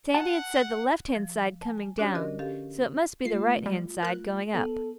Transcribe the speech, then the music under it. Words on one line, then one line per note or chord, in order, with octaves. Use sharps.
Sandy had said the left-hand side coming down, so it must be the right-hand side going up.
F#5 A5
F3
G#5 A5
G#5
C#4 D4 F#4 G4 C#5 D5
D3 A#4 D#5
C#4 G4 A4 F5
A3 F4 C7
G3
A#4 F#6
B3 A4